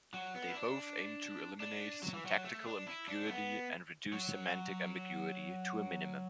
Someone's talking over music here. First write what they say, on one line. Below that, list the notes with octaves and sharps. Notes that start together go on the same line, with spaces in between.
They both aim to eliminate syntactical ambiguity and reduce semantic ambiguity to a minimum.
F#3
B3
E4
D4
D4
F#3
E3
F#3
A3
D4
E4
D4
A3
B3
F#3